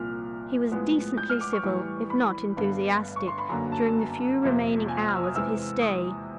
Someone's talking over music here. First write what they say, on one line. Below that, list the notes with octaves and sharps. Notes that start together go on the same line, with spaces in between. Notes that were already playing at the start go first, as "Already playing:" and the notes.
He was decently civil, if not enthusiastic, during the few remaining hours of his stay.
Already playing: C2 A#2 F3 A#3 F6
A2 F3 G#3 B3
G6
F6
D6
C#6
A2 E3 G3
B5
G1 G2 D3
C#6
C6
B5
F#2 D3 F#3 A#3 A#5
A5
F2 C3 F3 A#3
G#5
G#5
F6
E6
D#6
E2 C3 E3 G#3 E6
D#6